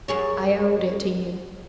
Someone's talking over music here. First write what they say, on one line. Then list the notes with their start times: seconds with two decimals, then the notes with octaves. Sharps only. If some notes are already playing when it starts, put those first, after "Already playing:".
"I owed it to you."
0.08 F#2 G#4 C#5